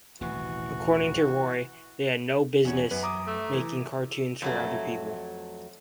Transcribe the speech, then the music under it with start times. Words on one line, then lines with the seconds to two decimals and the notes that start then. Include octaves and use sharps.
According to Roy, they had no business making cartoons for other people.
0.21 D#1 A1 C3 E3 F#4
2.65 E2 C#4
2.91 F#2 B4
3.03 A#5 D6 D#6
3.27 A3
3.53 E3
4.42 F2 F#3 A3